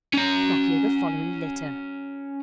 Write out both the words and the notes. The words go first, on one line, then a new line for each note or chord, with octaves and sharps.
Lockyer the following letter.
C#4 A#5